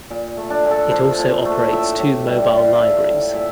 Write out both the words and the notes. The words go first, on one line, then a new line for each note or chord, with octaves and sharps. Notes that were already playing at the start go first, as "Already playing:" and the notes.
It also operates two mobile libraries.
A#2
A3
D4
A#2
A4
F3 C5
A#2
A3
A2 E5
A2
G3
G3
F5
E5
A2
F5
A2
A#2 E5